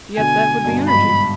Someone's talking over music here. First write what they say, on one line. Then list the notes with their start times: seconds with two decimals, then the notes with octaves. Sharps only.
Yet that would be energy.'
0.17 B2 D3 G#5
0.64 G2 B2
0.79 G2
0.88 G#2 B5